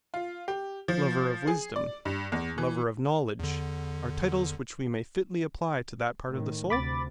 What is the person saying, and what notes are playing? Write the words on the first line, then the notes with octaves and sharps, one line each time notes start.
'Lover of wisdom,' 'lover of knowledge,' are titles which we may fitly apply to that part of the soul?
F4
G4
F3
G#4
D5
G2
E2
E3
E2 D3
A2 D#3
D2 C3 B5 D6 A6